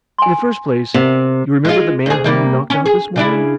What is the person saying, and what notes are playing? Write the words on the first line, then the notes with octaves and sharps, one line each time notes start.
In the first place, you remember the man whom you knocked out this morning?
G#5 C6
C3 A#4
G#3 F4
D2 G#4
C3 G3 A#3
C#4
G#4
C#3 D4 E4